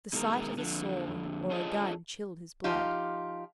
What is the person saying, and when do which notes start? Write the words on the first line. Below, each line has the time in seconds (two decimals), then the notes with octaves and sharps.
The sight of a sword or a gun chilled his blood.
0.13 B2 D#3 G#3 A#4
0.58 F2 D3
1.50 D4 F4 G#4 A4 C#5 D#5
2.64 F3 D#4 F4 G4